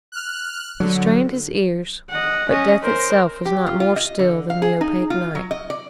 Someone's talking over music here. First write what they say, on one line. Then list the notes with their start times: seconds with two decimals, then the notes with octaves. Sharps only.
He strained his ears, but death itself was not more still than the opaque night.
0.12 F6 F#6
0.80 D3 F#3
2.10 D#5 F#5
2.49 C#4 D#5
2.83 A#4 C5
3.46 G4
3.66 F4
3.80 F4
3.96 D#5
4.19 D3
4.50 F5
4.62 G#4
4.81 D#4
5.10 F4
5.35 F#3
5.51 D#5
5.70 D5